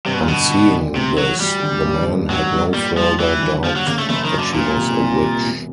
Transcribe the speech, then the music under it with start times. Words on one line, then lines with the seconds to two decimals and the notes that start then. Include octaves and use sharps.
On seeing this the men had no further doubt that she was a witch.
0.05 G2 C3
0.14 B2
0.20 A#2
0.28 B2 D3
0.50 E1
0.73 D2
0.95 A2 C3
1.18 E3 F#3
1.40 D2 G3
1.62 D3
1.85 A1
2.08 G2
2.29 A1 F#3
2.53 G2
2.74 A#2 G3
2.97 F3 G3
3.19 D2 E3
3.42 D3
3.64 D#2 F3
3.76 F#3
3.86 C#3 A#3
3.98 A3
4.09 F#1 A3
4.25 D#3
4.32 F#2
4.39 D3
4.54 C#2 A#2
4.77 C3
5.00 C2
5.22 C3
5.44 E1